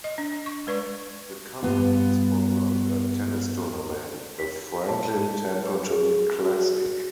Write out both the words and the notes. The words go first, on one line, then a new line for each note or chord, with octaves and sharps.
The company sponsored a tennis tournament, the Franklin Templeton Classic.
D#5
D4
C#6
G#3 B4 D5 C#6
G2 B3 F4
B6
A5
B4
G#4
F#4